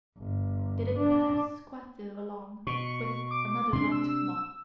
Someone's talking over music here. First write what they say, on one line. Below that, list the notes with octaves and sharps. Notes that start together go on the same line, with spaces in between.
Did it perhaps squat there along with another night-moth?
G1
D4
B2 C#6
D6
C3 D4 C6
E6